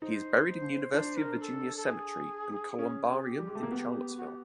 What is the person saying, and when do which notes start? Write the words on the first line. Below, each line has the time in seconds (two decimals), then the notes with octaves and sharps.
He is buried in University of Virginia Cemetery and Columbarium in Charlottesville.
0.02 D#4 C5
0.94 D4 C5
1.17 A#4
1.40 A4
1.77 A4
1.86 G#4
2.78 C#4 G#4
3.25 G4
3.39 G3
3.47 G#3
3.55 A3
3.63 A#3
3.71 B3
4.17 F#4
4.27 G4